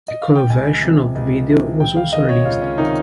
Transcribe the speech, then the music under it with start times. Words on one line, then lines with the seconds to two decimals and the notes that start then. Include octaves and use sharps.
A color version of the video was also released.
0.08 D#5
0.22 F5
0.35 G5
0.50 C#2 G#5
0.83 C3 F3
1.15 C#2
1.48 C3 F3
1.80 C#2 G5
1.96 F5
2.13 C3 D#3 D#5
2.29 C#5
2.45 C#2 F4
2.62 C#4
2.78 C3 D#3 D#4